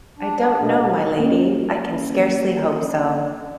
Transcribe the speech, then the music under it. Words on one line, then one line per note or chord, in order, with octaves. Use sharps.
I don't know, my Lady; I can scarcely hope so.
D4
D4
B2
A#3 C#4